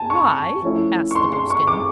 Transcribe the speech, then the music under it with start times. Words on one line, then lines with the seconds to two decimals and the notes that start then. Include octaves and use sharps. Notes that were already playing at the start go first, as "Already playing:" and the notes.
"Why?" asked the Blueskin.
Already playing: G#5 A5
0.10 C#6
0.63 F3 A3 C#4 E4
1.11 C#6
1.15 C6
1.33 C6
1.50 C#6
1.67 D6